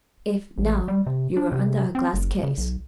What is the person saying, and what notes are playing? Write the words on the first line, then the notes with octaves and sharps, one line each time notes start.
"If, now, you were under a glass case."
A1
G3
C3
D4
C3
C4
F#1
C#3
B1